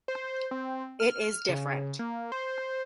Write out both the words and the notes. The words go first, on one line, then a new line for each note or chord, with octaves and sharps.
It is different.
C5
C4
F6
C#3
A#3
C5